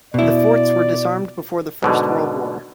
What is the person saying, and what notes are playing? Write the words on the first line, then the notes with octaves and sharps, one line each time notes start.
The forts were disarmed before the First World War.
B2 E4 D5
G#2 B2 D3